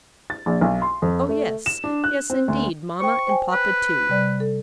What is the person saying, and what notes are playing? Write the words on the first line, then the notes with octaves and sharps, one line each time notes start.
"Oh, yes; yes indeed, mamma and papa too."
A6
A#1
B1
C6
F2
A3
E7
D4
F#6
C4
D2
C5 G5 C#6
C5 G5 G#5
B4
C3 G3 D5
A4